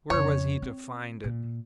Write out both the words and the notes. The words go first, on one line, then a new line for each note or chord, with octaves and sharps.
Where was he to find it?
F2 C#3 C#5
C4
A#2